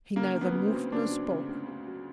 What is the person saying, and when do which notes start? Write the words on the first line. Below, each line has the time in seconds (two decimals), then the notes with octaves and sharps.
He neither moved nor spoke.
0.16 C#3 A#3
0.35 D2
0.41 B3
0.54 C#3
0.67 C4
0.73 F#3
0.92 C#3 D4
1.11 F#3
1.30 C#3
1.49 D2
1.68 D2
1.87 F#3